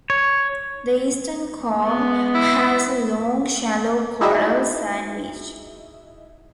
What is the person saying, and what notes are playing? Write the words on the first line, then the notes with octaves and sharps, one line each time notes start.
The eastern cove has a long shallow coral sand beach.
C#5
G#3 B3
E4
D#4 E4 F#4 G#4 D#5 E5